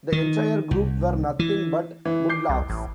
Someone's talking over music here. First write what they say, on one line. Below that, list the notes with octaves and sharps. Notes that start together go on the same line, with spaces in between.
The entire group were nothing but mudlarks!
D#3
C2
E3
E3
D6 G6 C7
C2
A1